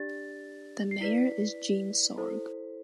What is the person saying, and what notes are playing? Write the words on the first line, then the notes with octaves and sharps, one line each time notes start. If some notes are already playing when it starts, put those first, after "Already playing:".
The mayor is Jeanne Sorg.
Already playing: D4 G4 D5 A6
C7
E4 B4 D5 B6
E4 A4 C5